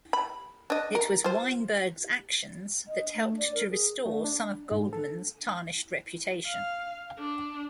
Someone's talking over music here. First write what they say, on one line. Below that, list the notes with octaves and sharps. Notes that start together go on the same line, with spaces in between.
It was Weinberg's actions that helped to restore some of Goldman's tarnished reputation.
B5
D4 D#5
A#4
F4 C5
D#5
A3
D5
A#4
G#4
A3
D4
G#2
A4
F5
D4